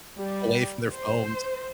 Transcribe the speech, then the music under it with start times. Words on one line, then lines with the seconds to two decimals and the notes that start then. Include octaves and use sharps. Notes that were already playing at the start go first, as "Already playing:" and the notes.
away from their phones,
0.18 G3
0.92 C5